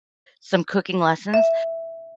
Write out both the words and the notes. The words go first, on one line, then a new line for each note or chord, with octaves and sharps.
some cooking lessons
E5